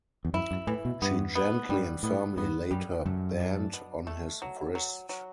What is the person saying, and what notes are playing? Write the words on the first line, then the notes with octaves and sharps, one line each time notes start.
She gently and firmly laid her band on his wrist.
E2
F#2 E4
F#2
A2 E3
B2
G2 B3
B3
G2 G3
A2 B3
G2 B3
F#2 G3
F#2 A3
D4
B2
A3
F#3
F#3
F#3